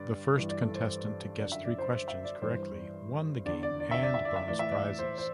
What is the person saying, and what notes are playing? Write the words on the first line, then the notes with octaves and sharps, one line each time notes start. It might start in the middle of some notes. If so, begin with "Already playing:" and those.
The first contestant to guess three questions correctly won the game and bonus prizes.
Already playing: G2 D3 D5
G2 E3
D5
A4
C5
F#2 D3 D5
E5
D5
C5
E5
D5
G2 E3 C5
E2 D3 D5
D5
D5
E5
D5
E5
D5
E5
A2 E3 D5
E5
D5
C5
C5